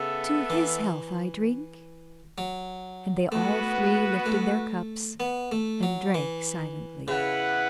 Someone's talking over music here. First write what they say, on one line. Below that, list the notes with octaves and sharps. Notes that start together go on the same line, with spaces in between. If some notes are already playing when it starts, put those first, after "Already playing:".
To his health I drink,' and they all three lifted their cups and drank silently.
Already playing: C#3 B3 A4 E5
E3
F#3
A3 B3 F#4 B4 F#5
A3
B3
A3
F#3
E3
C#3 E4 B4 F#5